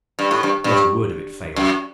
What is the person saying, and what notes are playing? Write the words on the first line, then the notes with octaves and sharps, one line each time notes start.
Not a word of it failed.
G2
A2
G2
G2
F#2